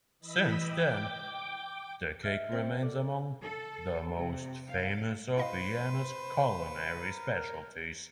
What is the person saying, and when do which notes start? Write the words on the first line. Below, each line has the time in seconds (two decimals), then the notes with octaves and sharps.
Since then, the cake remains among the most famous of Vienna's culinary specialties.
0.19 E3 D#5 B5 E6 B6
0.60 G5 D6
2.23 D#5 E5 F6
2.52 C4
2.82 A4 D5
3.42 A4
4.16 C3
4.68 F5
5.37 E4 B4 C5 D#5 F5
7.00 A#4